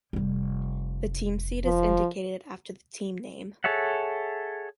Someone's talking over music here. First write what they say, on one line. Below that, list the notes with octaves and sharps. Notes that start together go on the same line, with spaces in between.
The team seed is indicated after the team name.
F1 G3
F3
G#4 A4 C#5 E5 F#5